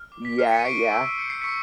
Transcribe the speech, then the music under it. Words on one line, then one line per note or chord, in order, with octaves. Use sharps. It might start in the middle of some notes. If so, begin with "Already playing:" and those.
Yeah, yeah.
Already playing: F6
D6
B6
F6 C7
B6 C#7
D#7
C#6 C7 D7
E6
G6 C#7
C7
C#6 B6 C#7